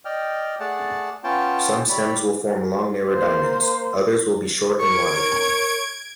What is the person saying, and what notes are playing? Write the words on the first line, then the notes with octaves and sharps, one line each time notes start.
Some stems will form long narrow diamonds; others will be short and wide.
D5 D#5 G5 F6
A3 G#4 D5 F#5 A5
B3 C#4 F4 C#5 G5 A5
E4 G4 C#5 D5 B5
A#3 C5
A#4 C#6 G#6 D7
C#5